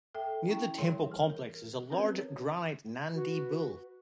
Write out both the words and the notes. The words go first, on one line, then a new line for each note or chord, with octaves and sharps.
Near the temple complex is a large granite Nandi bull.
A4 E5 G5
C#4 E4 G5
E3 G3 G#4 A#4 C#5 C6
G#4
A#4
C4 C#4 F#4 A#4 B4 C#5
F#4 B4